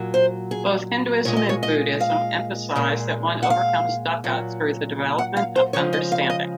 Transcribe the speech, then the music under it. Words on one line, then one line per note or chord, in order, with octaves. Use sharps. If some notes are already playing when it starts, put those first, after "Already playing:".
Both Hinduism and Buddhism emphasize that one overcomes "dukha" through the development of understanding.
Already playing: A#2 F#3
C5
G#4
A#2 G#3 C#5
D#5
C#5
D#5
F5
A#2 G#3
F#5
F5
A#2 F#3
F#5
F5
C5
C#3 F3 G#3 C#5
D#5
F5
D#5